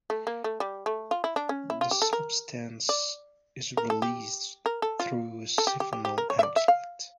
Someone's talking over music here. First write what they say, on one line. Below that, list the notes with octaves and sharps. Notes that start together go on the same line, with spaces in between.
The substance is released through a syphonal outlet.
A3
A#3
A3
G3
A3
F4
E4
D4
C#4
E4
F4
G4
A4
A#4
D5
A#4
A4
G4
A#4
A4
F4
A4
G4
G4
G4
G4
A#4
C#5
E5
D5
E5
F5